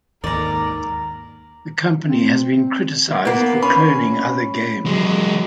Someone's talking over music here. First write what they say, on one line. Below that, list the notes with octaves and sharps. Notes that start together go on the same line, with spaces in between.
The company has been criticised for cloning other games.
D#2 G#2 D#3 A#4 D5 A#5
C4
A#3 B3
C#4 B5
F#3 G#3